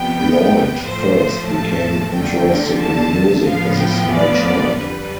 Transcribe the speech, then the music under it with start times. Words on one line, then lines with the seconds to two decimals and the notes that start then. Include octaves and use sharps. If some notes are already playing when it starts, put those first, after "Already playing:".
Lloyd first became interested in music as a small child.
Already playing: F2 C3 G3 B3 G5
0.83 A2 F3 A3 C5
1.49 A5
2.14 E2 D3 F3 A3 G5
2.80 A5
3.45 A2 F3 B3 F5
3.78 G5
4.11 D5
4.76 F2 D3 G3 B4